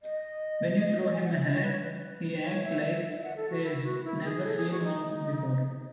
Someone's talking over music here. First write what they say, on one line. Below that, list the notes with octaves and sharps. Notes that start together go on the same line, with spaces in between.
When you throw him a hat, he acts like he's never seen one before.
D#5
G#5
F#5
E5
D#5
C#5
B4
C#5
B4
C#5
E5
E5
F#5
A4
F#4
E4
F#4
E4
G#4
A4
G#4
F#4
E4
D#4